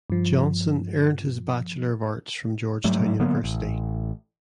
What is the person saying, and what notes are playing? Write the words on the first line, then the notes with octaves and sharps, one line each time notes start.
Johnson earned his Bachelor of Arts from Georgetown University.
G2 F3
G#2 F#3 G3 A3
D3 F#3 A#3 B3
A1